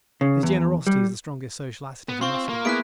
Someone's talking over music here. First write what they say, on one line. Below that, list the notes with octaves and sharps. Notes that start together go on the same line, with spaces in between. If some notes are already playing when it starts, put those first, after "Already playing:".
His generosity is the strongest social asset of the Muscular.
C#3
E2
G3
B3
C4 F4 C6 C#6
A#3
B3 E4 G#4 F#6 B6 D7